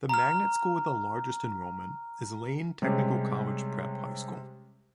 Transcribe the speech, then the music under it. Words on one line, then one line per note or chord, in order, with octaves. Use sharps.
The magnet school with the largest enrollment is Lane Technical College Prep High School.
A#5 F6
C3 G3 G#3 C#4